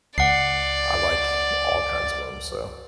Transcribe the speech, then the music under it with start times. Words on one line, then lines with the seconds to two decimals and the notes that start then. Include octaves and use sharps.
I like all kinds of 'em, so,
0.18 C#2 D5 F#5 C7